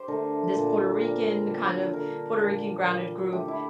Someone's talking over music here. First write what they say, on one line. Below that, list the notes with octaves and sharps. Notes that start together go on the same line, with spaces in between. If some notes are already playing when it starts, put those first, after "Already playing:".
this Puerto Rican, kind of Puerto Rican grounded group
Already playing: G4 C5
D3 A3 A#4
A#2 G3
A#2 G3 A#4
D3 G3
D3 G3 A#4
A#2 G3
A#2 G3
D3 A3 G4
E4